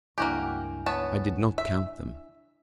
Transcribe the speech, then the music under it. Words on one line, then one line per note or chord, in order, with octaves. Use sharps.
I did not count them.
C#2 G2 A#3 D4 E4 F#4 G4 G#5
B3 C#5 A5
E5